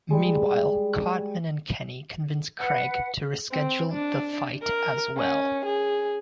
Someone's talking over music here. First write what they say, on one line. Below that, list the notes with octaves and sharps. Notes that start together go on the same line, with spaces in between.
Meanwhile, Cartman and Kenny convince Craig to reschedule the fight as well.
G3 G#3
B4 F#5
C4
D4
A#4
C#4
G#4